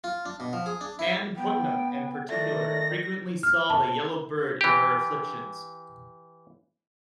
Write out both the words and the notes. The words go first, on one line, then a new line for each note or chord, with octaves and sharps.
Ann Putnam in particular frequently saw the yellow bird in her afflictions.
F4
D4
B2
F3
G#4
D4
E4
B3 G5
D#3 A3 D5 A#6
F6
A5
E3 G4